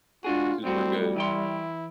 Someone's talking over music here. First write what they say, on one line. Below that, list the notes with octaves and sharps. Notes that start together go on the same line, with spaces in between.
super good.
G#3 D4 F4 F#4 G#4
C2 A2 G3 C4 F#4
E3 E4 G5 C6